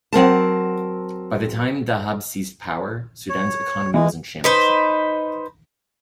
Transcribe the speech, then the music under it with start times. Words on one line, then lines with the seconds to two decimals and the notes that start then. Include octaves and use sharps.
By the time Dhahab seized power, Sudan's economy was in shambles.
0.13 F#3 C4 A#4 A5
3.30 C#5
3.94 E3 G#3
4.44 D#4 B4 C5